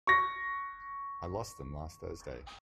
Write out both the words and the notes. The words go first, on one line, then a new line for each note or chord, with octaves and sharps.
I lost them last Thursday.
C#6 A#6